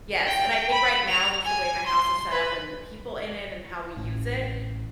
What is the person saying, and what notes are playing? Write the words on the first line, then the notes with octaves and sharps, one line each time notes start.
Yes, and I think right now, just the way my house is set up and the people in it and how we use it,
G5
B5
F7
G#5
C6
B4
A1